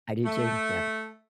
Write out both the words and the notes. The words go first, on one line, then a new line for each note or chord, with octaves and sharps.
I do too, yeah.
A3